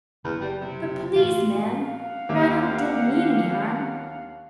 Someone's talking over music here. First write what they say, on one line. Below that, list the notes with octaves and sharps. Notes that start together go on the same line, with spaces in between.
"But, please ma'am, Ranald didn't mean any harm."
F#1 E2
G3
C3
A2 E3 F4
F5 F#5
D#2 A#3 G4 E5